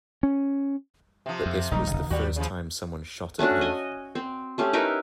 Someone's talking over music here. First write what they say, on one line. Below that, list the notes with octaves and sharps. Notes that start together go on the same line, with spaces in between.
But this was the first time someone shot at him.
C#4
C3 F3
F2
D#1 A#1 G3 D#4
D1 C2 C#3
D#2 G3 F#4
C#3 F3
A3 C#4 D4 F#4
D#5 G#5
C4
A3 C#4 G4
D#4 E4 A#4 B4